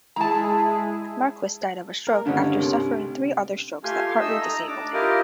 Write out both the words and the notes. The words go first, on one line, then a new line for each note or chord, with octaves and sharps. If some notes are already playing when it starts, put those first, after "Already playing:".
Marquis died of a stroke after suffering three other strokes that partly disabled him.
G#3 E4 G#4 A5 A#5
A#3 A#4
G2 D3 D#3 A3 C#4 D#4
C2
A3 F4 G4 G#5 C6
C6
A3 D#4 D#5 E5 E6
A#5
D4 D6
E4 F4 G4 A#4 D5 D#5